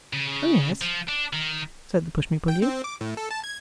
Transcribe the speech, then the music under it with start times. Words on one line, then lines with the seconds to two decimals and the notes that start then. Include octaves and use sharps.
"Oh, yes," said the pushmi-pullyu.
0.13 C#3
0.81 F3
1.08 D4
1.33 D#3
2.48 G5
2.62 C4
2.84 D6
3.01 A2
3.17 A4
3.31 A5
3.44 G#6